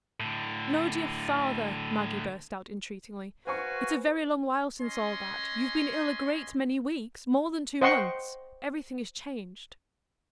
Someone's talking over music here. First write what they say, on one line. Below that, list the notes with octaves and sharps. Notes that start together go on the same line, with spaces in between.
"No, dear father!" Maggie burst out entreatingly; "it's a very long while since all that; you've been ill a great many weeks,--more than two months; everything is changed."
A2 D3
F#4 B4 C5 F5 G#5 C#6
C#4 D#5 G#5 C6
C5 D#5 F#5 G5 C6 C#6